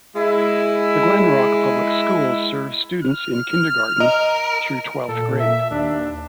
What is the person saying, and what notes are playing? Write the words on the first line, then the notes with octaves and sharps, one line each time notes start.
The Glen Rock Public Schools serve students in kindergarten through twelfth grade.
G#3 E4
F6
A#4 D#5
A#2 A4
E5
D#2 D4